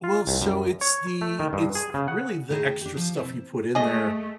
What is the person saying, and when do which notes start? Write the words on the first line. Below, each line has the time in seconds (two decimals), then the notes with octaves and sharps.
Well, so it's the it's th really, the extra stuff you put in there,
0.04 F4
0.27 C2
0.42 F#2
0.81 C#5
1.21 A3
1.40 D#3
1.53 G2
1.75 G#4
1.94 C#3
2.08 F#5
2.49 A2 D#3 D#4 E4 G#4
2.66 G5
2.81 D4 G4
2.97 F3
3.17 C3 E4
3.75 A3 G#4 D#5